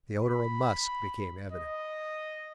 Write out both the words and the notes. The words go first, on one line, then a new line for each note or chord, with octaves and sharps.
The odor of musk became evident.
B5
D#5